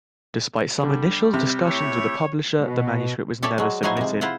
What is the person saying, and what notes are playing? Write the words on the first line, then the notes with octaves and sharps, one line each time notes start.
Despite some initial discussions with a publisher, the manuscript was never submitted.
D3 G3
C3
A3 E4 G4 C#5
B2
G4 A4 C#5 D5 E5
F#3 G#3
F3 F#3 D#4 E4 C5 G#5
C3 G#3
E4 F4 C5 F#5